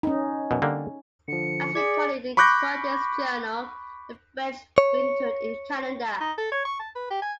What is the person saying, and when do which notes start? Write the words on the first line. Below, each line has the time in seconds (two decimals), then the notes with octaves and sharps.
As recorded in Cartier's journal, the French wintered in Canada.
0.03 C#4 D#4
0.51 F#2 B2
0.62 D3 G3 A#3
1.28 D3 F3 C#7
1.75 G#4 D5 G#6 B6
2.37 B5 C#6 D6 F#6 G6 A#6
4.78 C#5
6.20 D#4
6.38 A4
6.52 C#5
6.65 C#6
6.79 A5
6.95 B4
7.11 G4
7.22 G#5